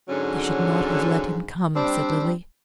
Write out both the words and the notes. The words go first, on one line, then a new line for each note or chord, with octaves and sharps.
"They should not have let him come," said Lily.
G#2 D3 F#3 C#4
G3 C4 D4